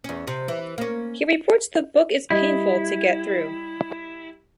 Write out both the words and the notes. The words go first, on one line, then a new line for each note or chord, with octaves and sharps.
He reports the book is painful to get through.
E2 C#4
C3
E3
A#3 C#4
G3 E4 D#5